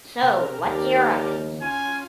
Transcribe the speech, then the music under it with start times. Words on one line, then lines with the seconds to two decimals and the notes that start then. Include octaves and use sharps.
'So What Do You Reckon?
0.23 C3 A#4
0.65 D#2 G4 A#4 D5
1.62 C#4 F4 G#5